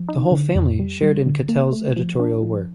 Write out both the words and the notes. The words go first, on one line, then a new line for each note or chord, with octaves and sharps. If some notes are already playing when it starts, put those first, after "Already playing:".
The whole family shared in Cattell's editorial work.
Already playing: F3
D#4
D3
F2
G3
G3
D3
A#3
A3
F3
D4
F3